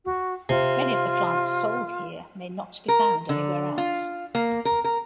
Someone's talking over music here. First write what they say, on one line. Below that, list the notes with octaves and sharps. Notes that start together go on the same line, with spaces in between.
Many of the plants sold here may not be found anywhere else.
F#4
C3 F4
A#4
D3
F4
A#3
A#4
A#4